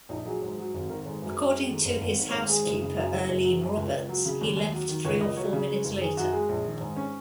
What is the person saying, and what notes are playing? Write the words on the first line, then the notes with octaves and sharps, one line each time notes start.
According to his housekeeper Earlene Roberts, he left three or four minutes later.
A#1 D#4
F#3 G#4
G#2
F#3
G#1
D#3 A#4
G#2
F#2
F#2
G#3
D#3
G#1
G#1
D#3
C#5
G#2 A#4
G#3 G#4
F#1
C#3
F#2
F#1
F#1
F#3
F#2
C#2
C#2
F#3
C#3
D#2
D#2
F#3
D#3
C#2 C#5
C#2 D#5
F#3 C#5
C#3
G#3
F#1
D#3 G#4
F#2 F#4
G#3 G#4
A#1
D#3
G#2
C#4